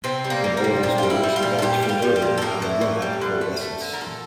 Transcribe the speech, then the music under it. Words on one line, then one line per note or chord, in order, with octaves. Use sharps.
In all these words, developed from earlier by "yod"-coalescence.
C3 C4
G3
A#3
G3
A#3
C3
A#2 C4
G3 F4
E4
G3
F4
A#2
A4
A#2 G4
G3
F4
G3
G4
A#2
A4
A2 A#4
E3
A2
G3
D3
A3
A3
D3
A#4
A#2 A4